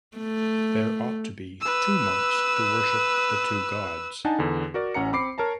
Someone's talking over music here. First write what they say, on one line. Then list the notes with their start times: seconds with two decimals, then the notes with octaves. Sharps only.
There ought to be two monks to worship the two gods.
0.17 A3
1.61 B4 E6
4.25 D4 D#4 F#5 G#5 A5
4.39 E2 D3
4.74 F#4 A#4 D5
4.94 A1 C#4 F#5 A#5 C#7
5.12 C4 B5 D6 C7
5.38 A#4 C#5 A5 A#5